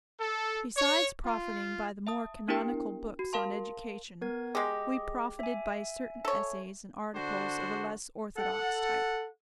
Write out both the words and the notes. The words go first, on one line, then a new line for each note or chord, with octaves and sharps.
Besides profiting by the more canonical books on education, we profited by certain essays and articles of a less orthodox type.
A4
C#5
F4
E5 A5 D#6
B3 D4 E4 G4 A#4 G5
F#4
A#4 F5 A5 C6
B3 A#4 G#6
G#3 G4 G#4 D#5
E5 G#5
A4 C#5
D3 D4 F#4 C5
A4 F#5